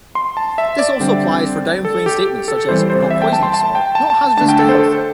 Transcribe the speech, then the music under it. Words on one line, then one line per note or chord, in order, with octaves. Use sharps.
This also applies for downplaying statements such as “not poisonous” or “not hazardous to health”.
C6
A5
E5
D5
D3 G3 C4
A4
G4
A4
E3 G3 C4 C5
C5
E5
G5
A5
C6
A5
G5
A5
A5
A5
D3 A3 D4 A5
G5
A4
C5
A4